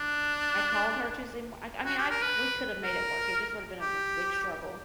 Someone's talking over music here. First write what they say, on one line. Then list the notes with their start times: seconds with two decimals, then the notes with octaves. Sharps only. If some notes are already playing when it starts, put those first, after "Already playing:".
I called her Tuesday mor Iike, I mean I c we coulda made it work, it just would've been a big struggle.
Already playing: D4
1.86 F#4
1.98 G4
2.10 A#4
2.22 B4
2.84 A#4
3.81 G4